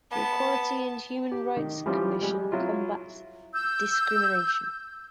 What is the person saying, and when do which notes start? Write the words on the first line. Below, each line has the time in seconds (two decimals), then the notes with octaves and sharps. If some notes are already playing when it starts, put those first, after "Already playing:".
The Equality and Human Rights Commission combats discrimination.
0.12 B3 A5
1.32 G4
1.57 D#3
1.86 E3 F3 G3 C#4 E4 G4
2.21 G3 G#3
2.52 F#3 E4 F4
3.53 E6 G6